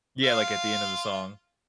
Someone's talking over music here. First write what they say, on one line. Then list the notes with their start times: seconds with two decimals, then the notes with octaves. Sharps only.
Yeah, like, at the end of the song?
0.24 F4 F5